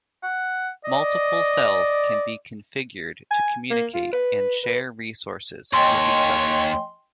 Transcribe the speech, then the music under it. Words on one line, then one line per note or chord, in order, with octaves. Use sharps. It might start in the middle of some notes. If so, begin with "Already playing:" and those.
Multiple cells can be configured to communicate and share resources with each other.
F#5
D5 D#5
G#5
A#3
F4
B4
B4
D#2 C#5 D#5 G5 G#5 C6